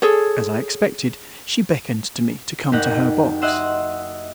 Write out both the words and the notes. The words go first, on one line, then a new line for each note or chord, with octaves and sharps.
As I expected, she beckoned to me to come to her box.
G#4 A4 C#5
F#1 D#4 G4 F#5
D#5 E5 F#5 C6 E6